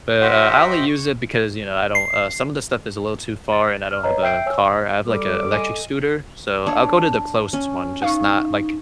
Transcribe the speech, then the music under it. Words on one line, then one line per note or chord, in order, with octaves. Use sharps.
but, uh, I only use it because, you know, I don't uh, some of the stuff is a little too far and I don't have a car, I have like a electric scooter, so, I'll go to the closest one, just not like
F#4 C5 D#5 E5 F#5 G5
C#6
C7
A6
F6
B4 C#5 D#5 A#5
E5 G5 E6 G6 C7 D7
C#5 G#5 E6
G3 A4 D6
D#5 G#5
D4 C#5
C#4
D#4 F5 C#6